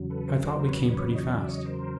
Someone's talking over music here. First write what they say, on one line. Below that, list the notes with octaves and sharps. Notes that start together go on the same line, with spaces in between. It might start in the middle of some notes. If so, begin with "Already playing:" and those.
"I thought we came pretty fast."
Already playing: E2 C#3 F#3
A4 B4
A#4 C5
A#4 C5
B4 C#5
B4 C#5
D5
C#5 D#5
D5 E5
C#5 D#5
A#4 C5